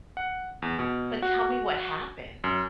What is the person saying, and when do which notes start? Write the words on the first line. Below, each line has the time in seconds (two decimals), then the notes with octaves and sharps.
But tell me what happened.
0.17 F#5
0.62 E2
0.79 B2
1.22 F#4
2.44 F#2